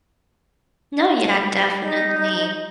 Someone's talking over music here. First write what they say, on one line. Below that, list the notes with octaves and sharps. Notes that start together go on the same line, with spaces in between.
No, yeah, definitely.
D#4